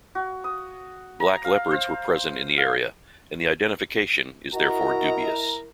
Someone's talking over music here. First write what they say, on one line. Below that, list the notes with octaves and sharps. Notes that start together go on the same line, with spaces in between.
Black leopards were present in the area and the identification is therefore dubious.
F#4
D#6
A#5
F5
C5
F5
E4 F#4 A#4 D#5 A#5